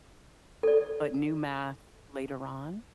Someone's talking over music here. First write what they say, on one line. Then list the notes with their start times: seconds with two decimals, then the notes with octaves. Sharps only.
but new math later on."
0.63 A4 D5